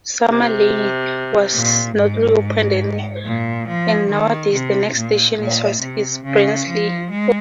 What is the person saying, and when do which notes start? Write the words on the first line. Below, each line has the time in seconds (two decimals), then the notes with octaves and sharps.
Summer Lane was not reopened, and nowadays the next station eastwards is Barnsley.
0.25 C3
1.53 A#2
1.96 G#2
3.24 A#2
3.67 F3
4.10 D#3
4.53 C3
4.95 A#2
5.38 A#2
5.81 C3
6.24 C#3
6.67 F3
7.10 G#3